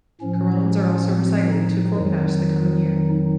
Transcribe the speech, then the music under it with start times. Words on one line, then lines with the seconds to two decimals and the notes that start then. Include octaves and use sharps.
Qurans are also recited to forecast the coming year.
0.21 A2 F3 C#4
1.08 C4
1.52 D#4
1.95 F2 D#3 F#3